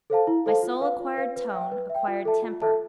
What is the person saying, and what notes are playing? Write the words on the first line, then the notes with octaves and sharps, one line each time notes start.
My soul acquired tone--acquired temper.
A4 C5 F5 A5
E4
A4 C5 F5 A5
F4
B4 F5
F4
B4 F5
B4
E5 G5
B4
E5 G5
F4
A4 E5 A5
F4
A4 E5 A5